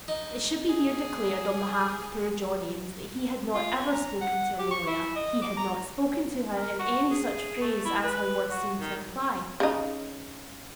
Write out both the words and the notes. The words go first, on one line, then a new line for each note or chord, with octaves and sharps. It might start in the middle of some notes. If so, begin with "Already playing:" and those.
It should be here declared on behalf of poor John Eames that he had not ever spoken to Amelia--he had not spoken to her in any such phrase as her words seemed to imply.
D#4
G#4
F4
C#4
A#5
F#5
G4
C#6
E4
D#5
D6
A#5
A#4
F#4
G#4
A3
E4
B4
F#4
D#3
C#3 D#4